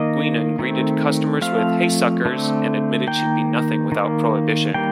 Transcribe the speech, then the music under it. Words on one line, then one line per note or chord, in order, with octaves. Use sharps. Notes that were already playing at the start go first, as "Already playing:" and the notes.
Guinan greeted customers with "Hey Suckers" and admitted she'd be nothing without Prohibition.
Already playing: D#3 A#3 D#5
D#3 A3 C4
F3 A3 C4 F5
D3 A3 C4
D#3 A#3 G5
D#3 A#3
D#3 G3 A#3 G5